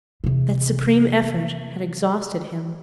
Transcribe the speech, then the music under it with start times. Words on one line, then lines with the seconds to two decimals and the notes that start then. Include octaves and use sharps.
That supreme effort had exhausted him.
0.24 E2 C3